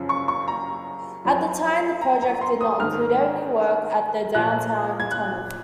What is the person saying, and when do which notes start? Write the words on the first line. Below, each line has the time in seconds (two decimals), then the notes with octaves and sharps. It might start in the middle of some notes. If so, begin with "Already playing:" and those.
At the time, the project did not include any work at the Downtown Tunnel.
Already playing: F#2 C#3 F3
0.09 C#6
0.28 C#6
0.48 A#5
1.25 F#2 F3
2.02 A#5
2.22 A#5
2.41 C6
2.61 D#6
2.80 G#2 D#3 F6
4.35 A#2 F3 F#6
5.00 G#6
5.11 F#6